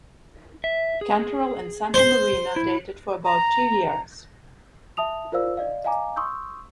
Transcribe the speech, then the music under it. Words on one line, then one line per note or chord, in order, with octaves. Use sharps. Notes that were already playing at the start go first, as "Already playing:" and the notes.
Cantoral and Santamarina dated for about two years.
E5
G#4
C5 C6
E4
A#5
E5 A5 D#6 F7
F4 A#4 C5 D5 F5 E6
D5 D#5 F5
D#5 F5 G#5 A#5 D6
C6 C#6 D#6 E6 G6